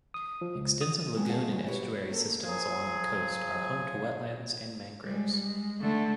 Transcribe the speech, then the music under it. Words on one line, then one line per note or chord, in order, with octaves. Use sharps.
Extensive lagoon and estuary systems along the coast are home to wetlands and mangroves.
D#6
F3
C#2
D#6
F#3 G#3 B3 C4
G#4 F5 F#5 G#5 A5
E2 A#2 C#3 F#3
E4 F#4 G4 A4 B4 C#5
A#3 F#4 G4 A4 A#4
F3 F#3 G#4
G3 G#3
G#3
D3 A3